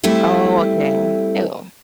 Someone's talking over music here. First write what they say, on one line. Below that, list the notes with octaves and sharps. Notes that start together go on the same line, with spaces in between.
Oh, okay. Ew.
G3 A3 C4 E4